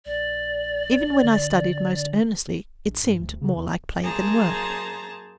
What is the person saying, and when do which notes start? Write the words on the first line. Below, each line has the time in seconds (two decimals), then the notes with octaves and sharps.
Even when I studied most earnestly it seemed more like play than work.
0.06 A#1 D5
1.23 D3
2.84 A#1
3.03 G2
3.20 D2
3.41 C#3
3.55 E2
4.03 F#2 A#3 G#4 C5 A5 A#5